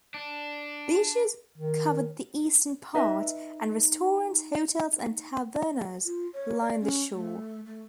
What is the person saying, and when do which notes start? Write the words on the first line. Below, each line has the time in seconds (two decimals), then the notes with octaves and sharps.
Beaches cover the eastern part and restaurants, hotels, and tavernas line the shore.
0.14 D4
1.58 D#3
2.95 D#4 B4 D#5 E5
6.05 F4
6.33 C#5
6.60 D5
6.81 C#4
7.13 A3
7.66 A3